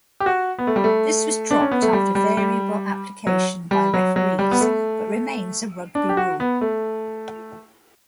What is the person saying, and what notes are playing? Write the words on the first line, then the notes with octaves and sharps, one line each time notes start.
This was dropped after variable application by referees, but remains a rugby rule.
G4
F#4
B3
A3
G3
A3
D4
C#4
B3
A3
G3
G3
G3
F#3
G3
F#3
F#3
G3
B3
A3
D4
G4
F#4
B3
A3